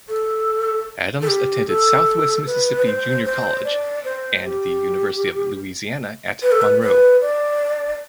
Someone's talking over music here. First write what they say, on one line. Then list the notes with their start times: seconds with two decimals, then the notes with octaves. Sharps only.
Adams attended Southwest Mississippi Junior College and the University of Louisiana at Monroe.
0.09 A4
1.22 A4
1.27 G4
1.67 A4
2.46 B4
2.86 C5
3.25 C5
3.65 D5
4.04 C5
4.44 G4
6.42 B4
6.52 A4
6.62 B4
6.81 B4
7.22 D5